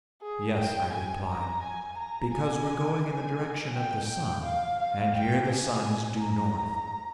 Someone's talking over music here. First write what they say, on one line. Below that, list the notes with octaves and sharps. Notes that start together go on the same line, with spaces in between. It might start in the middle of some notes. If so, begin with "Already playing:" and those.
"Yes," I replied, "because we're going in the direction of the sun, and here the sun is due north."
G#4
G5
G#5
A#5
G#5
A#5
G#5
G#5
G5
G5
F5
F5
G5
G#5
A#5